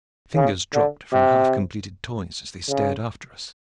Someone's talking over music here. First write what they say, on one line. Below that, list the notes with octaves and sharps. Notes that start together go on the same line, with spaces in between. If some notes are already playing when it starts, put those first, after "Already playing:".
Fingers dropped from half-completed Toys as they stared after us.
C#3
D3
C3
C#3